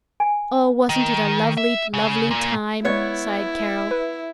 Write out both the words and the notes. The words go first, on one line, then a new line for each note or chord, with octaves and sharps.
"Oh, wasn't it a lovely, lovely time," sighed Carol.
G#5
D#3
E5
C#3
A#2
G#3 B3 E4 B4 C#5
B4